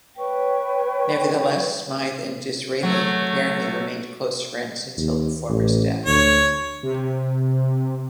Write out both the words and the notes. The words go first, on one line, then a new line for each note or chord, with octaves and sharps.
Nevertheless, Smythe and Disraeli apparently remained close friends until the former's death.
B4 C#5 G5 C#6
F#3 A3
D#2
A1
D2 C#5
C3